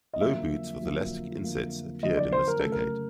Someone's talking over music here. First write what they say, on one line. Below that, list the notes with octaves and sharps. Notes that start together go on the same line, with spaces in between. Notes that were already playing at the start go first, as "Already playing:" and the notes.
Low boots with elastic insets appeared in this decade.
D#5
F2 D3 F#3 A#3 E5
F2 D3 F#3 A#3
F2 D3 F#3 A#3
F2 D3 F#3 A#3 D#5
D5
C5
A#4
C#3 F#3 A3 A4
A#4